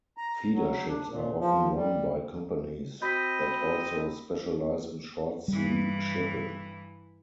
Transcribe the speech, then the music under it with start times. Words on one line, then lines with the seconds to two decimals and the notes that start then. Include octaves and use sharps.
Feeder ships are often run by companies that also specialize in short sea shipping.
0.17 A#5
0.54 F#3
0.88 D4
1.10 A#2
1.39 F3
1.75 G3
3.02 C4 F#4 D#5 B5 G6 A#6 B6
5.48 G2 E3 G3